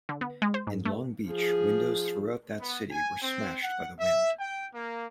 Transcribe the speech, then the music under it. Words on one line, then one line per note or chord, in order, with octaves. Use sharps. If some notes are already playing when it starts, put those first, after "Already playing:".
In Long Beach windows throughout that city were smashed by the wind.
D3
B3
G#3
C5
G#2
A3
F3 G#4
B3
G#5
C4
F#5
E5
G5
A#3